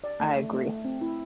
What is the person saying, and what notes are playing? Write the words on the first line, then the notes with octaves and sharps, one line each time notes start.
I agree.
D5
A3
A3
A3
A3
C4
E4